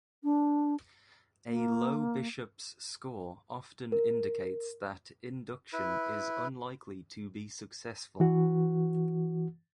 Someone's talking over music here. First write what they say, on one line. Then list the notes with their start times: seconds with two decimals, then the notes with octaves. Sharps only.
A low Bishop's score often indicates that induction is unlikely to be successful.
0.23 D4
1.47 A#3
3.92 A#4
5.73 E4 B4
8.20 E3 F#4